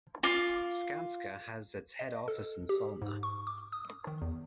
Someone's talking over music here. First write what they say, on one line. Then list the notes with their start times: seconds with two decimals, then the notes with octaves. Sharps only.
Skanska has its head office in Solna.
0.23 F4 D6
1.99 D#5
2.28 A4
2.69 G4
3.02 G#2
3.23 C#6
3.47 D6
3.72 D#6
4.07 D#3
4.22 E2